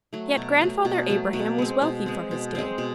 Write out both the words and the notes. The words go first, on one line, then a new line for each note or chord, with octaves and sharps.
Yet Grandfather Abraham was wealthy for his day.
F#3 A3
B2
F#3 A3
B2
F#3 A3
B2
G#3 C4
B2
G#3 C4
B2
G#3 C4
B2